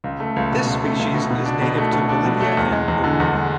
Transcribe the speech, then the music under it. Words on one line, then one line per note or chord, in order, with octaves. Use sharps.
This species is native to Bolivia and Peru.
C#2
A3
C#2
B2
C#2
A3
C#2
B2
B2
D4
B2
A3
B2
D4
B2
A3
E2
G#3
E2
D3
E2
G#3